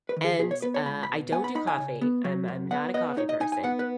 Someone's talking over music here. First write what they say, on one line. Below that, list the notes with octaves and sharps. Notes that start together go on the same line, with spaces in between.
and, uh, I don't do coffee, I'm I'm not a coffee person,
B4
D#3
G#4
B2 G#4
C#5
B3 B4
C#5
C#2 B5
B5
B2
B3 G#5
B5
D#4 B5
G#5
C#3
B3
F#3
F#2
B3 F#5
B3 D#5
D#4 C#5
D#5
D#4 G#5
G#5
B3 F#5
B4